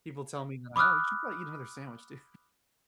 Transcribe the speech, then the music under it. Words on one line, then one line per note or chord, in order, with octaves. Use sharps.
People tell me they're like "Oh, you should probably eat another sandwich, dude."
B5 D6 D#6 F6 F#6